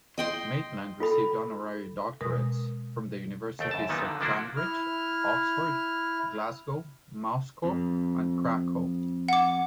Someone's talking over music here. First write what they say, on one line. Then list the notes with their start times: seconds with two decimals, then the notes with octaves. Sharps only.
Maitland received honorary doctorates from the universities of Cambridge, Oxford, Glasgow, Moscow and Cracow.
0.18 D#5 G5 C6
1.00 F4 A4 B5
2.21 B2 G#3 A#4 D#6
3.59 D#2 A3 G5
3.71 F#2 A5
3.89 A#2 D#3 G3 B3 D#4
4.05 D3
4.20 D3 F3 A#3 D4 E4 F#4
4.57 E4 F6
7.64 F2
9.28 F#5 D6